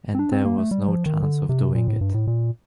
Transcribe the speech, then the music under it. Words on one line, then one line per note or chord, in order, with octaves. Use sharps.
And there was no chance of doing it.
C4
D4
C4
A#3
A3
G3
F3
D#3
D3
C3
A#2
A2
G2
A2
A#2